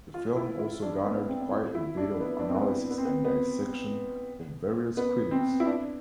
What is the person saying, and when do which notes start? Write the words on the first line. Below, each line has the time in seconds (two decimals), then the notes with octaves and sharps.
The film also garnered quite a bit of analysis and dissection from various critics.
0.14 F4
0.37 E4
0.59 E4
0.82 D4
1.05 B3
1.28 C4
1.52 E4
1.75 E4
1.97 D4
2.20 B3
2.39 D4
2.47 C4
2.55 B3
2.90 B3
2.98 C4
3.05 B3
3.25 B3
4.97 B3
5.31 C4
5.60 E4
5.66 D4